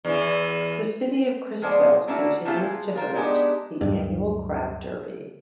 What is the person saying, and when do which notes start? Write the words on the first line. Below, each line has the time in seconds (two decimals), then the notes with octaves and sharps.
The city of Crisfield continues to host the annual Crab Derby.
0.05 E2 E3
1.62 F3 G#3 B3 C5 D5
2.07 A3 A#3 C#4 D4 E4 F#4
2.45 A3 A#3 C#4 E4 F4 G4
2.64 G#3
2.95 F4 A#4 C5
3.14 G3 G#3 B3 D4 D#4 G4
3.81 D1 G2